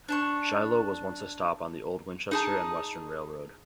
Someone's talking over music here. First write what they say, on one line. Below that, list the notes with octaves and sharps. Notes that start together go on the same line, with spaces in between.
Shiloh was once a stop on the old Winchester and Western Railroad.
D4 A5 C#6
D#4 G#4 A5